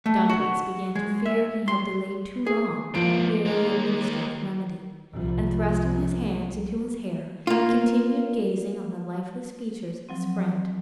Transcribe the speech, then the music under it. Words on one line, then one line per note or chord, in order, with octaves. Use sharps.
Dantes began to fear he had delayed too long ere he administered the remedy, and, thrusting his hands into his hair, continued gazing on the lifeless features of his friend.
A3
F#4
G#3
E5
C6
G#4
G#2 F3 A#3 D7
D#2 G#3 A#3
C2 F3
A#3 F4
F3 F#3 C4